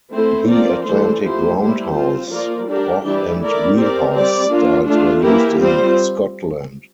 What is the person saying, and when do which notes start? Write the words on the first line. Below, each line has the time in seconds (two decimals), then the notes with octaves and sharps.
The Atlantic roundhouse, Broch and Wheelhouse styles were used in Scotland.
0.11 A3 C4 E4 A4 C5
0.48 F3 C4 F4 A#4 D5
0.84 E3 A3 D4 A4 C5
1.21 F3 A3 E4 G4 C5
1.57 G3 A#3 E4 G4 C5
1.93 C4 F4 C5
2.30 F3 A#3 F4 A#4 D5
2.66 G3 D4 G4 A#4 D5
3.03 E3 G3 D4 G4 D5
3.39 A3 E4 A#4 D5
3.75 C4 G4 A#4 D5
4.13 G3 C4 G4 D5
4.49 A#3 D4 F4
4.85 A3 D4 F4
5.22 E3 A#3 E4 G4 A#4
5.58 G3 C4 F4 C5